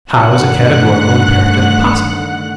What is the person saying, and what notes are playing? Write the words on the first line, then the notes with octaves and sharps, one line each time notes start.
How is a Categorical Imperative Possible?
G2 D3 D#3 A3 F#5 F#6